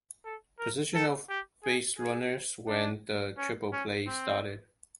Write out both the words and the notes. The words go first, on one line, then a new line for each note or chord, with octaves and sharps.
Position of baserunners when the triple play started.
A4
A#4
A4
G4
G#4
G#4
D4
C#4
C#4
C4